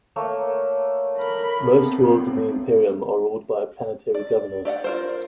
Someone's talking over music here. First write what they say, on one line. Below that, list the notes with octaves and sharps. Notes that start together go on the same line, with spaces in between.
Most worlds in the Imperium are ruled by a planetary governor.
A3 A#3 C#5
A#4 B5
B3 C4
D5
G4 D5 E5 F#5
F4 A#4 C5